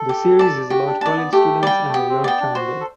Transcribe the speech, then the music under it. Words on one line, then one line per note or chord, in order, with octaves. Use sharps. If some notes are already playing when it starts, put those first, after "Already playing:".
The series is about college students and their love triangles.
Already playing: A4
G4
D5 A5
F#4 G4
D4
D4 D5 A5
B3
A3 G4
G3 D5 G5
A3
B3 G4
C4
B3 D5 G5
D4
F#4 C5
A4